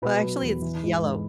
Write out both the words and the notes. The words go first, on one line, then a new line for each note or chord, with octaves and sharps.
Well, actually, it's yellow.
B2 B4
F#3
E2
E3
G#2
G#2